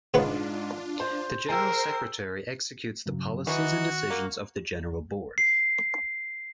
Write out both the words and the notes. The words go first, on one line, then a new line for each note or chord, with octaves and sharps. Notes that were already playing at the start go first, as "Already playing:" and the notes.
The General Secretary executes the policies and decisions of the General Board.
G#2 C#3 G#3 B3 D4 F4 B4
C5
G#4 A#4 C5 G5 E6 C7
G2 C#3 F#3
D#3 E3 D#4 F#4
A#3
C7